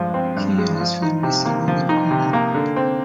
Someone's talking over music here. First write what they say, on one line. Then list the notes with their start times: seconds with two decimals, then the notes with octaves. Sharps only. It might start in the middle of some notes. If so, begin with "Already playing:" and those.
He and his family settled in Cornell.
Already playing: G2 F3 G#3
0.14 C4
0.36 G2
0.58 G#3
0.80 F3
1.02 D#4
1.23 C3
1.45 A#3
1.68 F3
1.89 D#4
2.11 C3
2.33 A#3
2.54 D3
2.76 C4